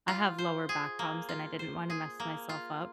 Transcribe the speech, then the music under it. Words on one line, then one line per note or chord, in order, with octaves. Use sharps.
I have lower back problems, and I didn't wanna mess myself up
F4
C5
G#4
A#3
F4
C5
G#4
A#3
F4